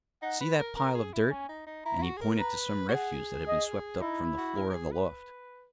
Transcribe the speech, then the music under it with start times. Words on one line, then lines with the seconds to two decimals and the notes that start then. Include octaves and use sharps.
"See that pile of dirt?" and he pointed to some refuse that had been swept up from the floor of the loft.
0.23 D#4 F#5
0.41 B4
0.59 A#4
0.77 A#4 A#5
0.95 G#4
1.13 E4
1.31 C#4 G#5
1.49 D#4
1.67 D#4
1.85 E4 A#5
1.99 E4
2.03 F#4
2.17 G#4
2.21 A#4
2.39 B4 A#5
2.88 F#4
2.93 G#4 F#5
3.48 D#5
4.01 D#4 E4
4.38 F#4
4.56 A#4
4.70 A#4
4.74 G#4
4.92 B4